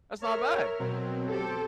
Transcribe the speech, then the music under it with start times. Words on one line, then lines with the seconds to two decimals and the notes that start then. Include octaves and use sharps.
That's not bad."
0.21 A#4 C#5 E5 F6
0.79 B2 F#3 C4
1.31 G4 A4 C5 G5